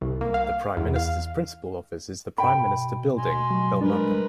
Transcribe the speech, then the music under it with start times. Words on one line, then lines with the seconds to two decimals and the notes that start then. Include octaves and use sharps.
The Prime Minister's principal office is the Prime Minister Building, Belmopan.
0.01 C2
0.21 A#3
0.34 F5
0.77 E2
0.96 F5
2.38 G2 G5 B5
2.56 B2
3.18 G#5 C6
3.51 F#3
3.81 G3 G#3 D4 A#4 B4